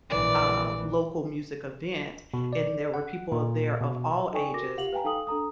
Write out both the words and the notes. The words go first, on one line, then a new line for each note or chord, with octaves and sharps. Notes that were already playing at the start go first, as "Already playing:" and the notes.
um, local music event and there were people of there of all ages.
A#1 E3 D5
B2
D5
F#5
A#2
B2
D#4 A4 D5 G5 G#5 C#6
F#4 A#4 D6 A#6
F4 G4 F5 F#5 F7 F#7
B4 F5 G5 G#5 A#5
D#4 A4 F5 G5 D#6 F#7
D4 A4 A#5 D#6